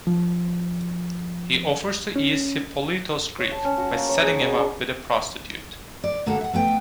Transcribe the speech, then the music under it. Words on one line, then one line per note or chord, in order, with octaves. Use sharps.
He offers to ease Hippolito's grief by setting him up with a prostitute.
F3
C#4
C#5
A5
C#4
F#4
A#3
C#5
G#4
B2
D4
D5
A#2 D3 A3 A#3 F#4 A4
E5 F#5
A3 B3 G5